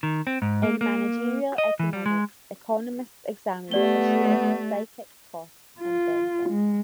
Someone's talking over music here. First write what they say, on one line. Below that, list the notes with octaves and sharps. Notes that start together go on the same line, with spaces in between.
In managerial economics, economists examine the issue of psychic costs and benefits.
D#3
C4
G#2
A#3
A#3
D#5
E3
G3
G#3
A3 B3 G4 D5 G7
F4
G#3